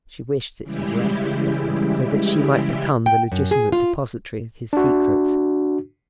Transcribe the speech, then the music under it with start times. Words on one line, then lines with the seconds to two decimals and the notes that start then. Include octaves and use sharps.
She wished that he were her cousin, so that she might become the legitimate depository of his secrets.
0.63 C#3 E3 G3 G#3 E4 G4
3.06 G5
3.32 F#2
3.51 G#4
3.72 F4
4.73 D4 F#4